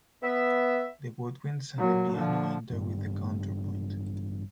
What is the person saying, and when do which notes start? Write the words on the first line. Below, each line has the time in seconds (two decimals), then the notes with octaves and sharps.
The woodwinds and the piano enter with counterpoint.
0.22 B3 E5
1.78 A#2 F#3
2.14 D3 F3
2.70 A1 G2